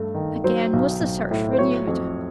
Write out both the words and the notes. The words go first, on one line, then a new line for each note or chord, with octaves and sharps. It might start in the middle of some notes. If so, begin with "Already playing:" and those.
Again was the search renewed.
Already playing: G2 A3
D#3
F#3 C5
B1
B1
A2
C5
F#3 C#5
F2